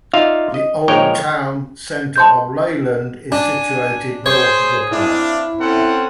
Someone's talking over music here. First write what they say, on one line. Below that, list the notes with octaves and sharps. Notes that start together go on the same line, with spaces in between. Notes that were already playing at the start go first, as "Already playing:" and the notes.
The old town centre of Leyland is situated north of the park.
D#4 F4 D5 E5 F5
D#5
A#1 F3 G#3 A#4 C#5 G5
A5 C6 G6
D4 G#5
G#4 C5 C#5
C4 D4 E4 F5
C4 C#4 A4 F#5